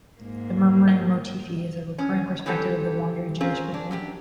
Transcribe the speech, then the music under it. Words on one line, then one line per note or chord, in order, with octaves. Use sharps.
The 'murmuring motifi' is a recurring perspective of the wandering Jewish people.
G#2 A#3
C#4
E3 G3 C4 G4 A4
C4 C#4 F4 G#4 A#4
D4
F#2 D4 G4